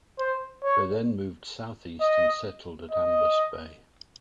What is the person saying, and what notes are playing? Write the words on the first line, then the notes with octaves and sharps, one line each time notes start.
They then moved southeast and settled at Ambas Bay.
C5
C#5
D#5
D#5